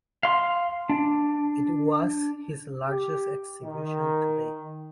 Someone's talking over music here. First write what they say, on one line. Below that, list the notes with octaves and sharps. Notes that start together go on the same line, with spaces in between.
It was his largest exhibition to date.
F5 C6
D4
G4
D#3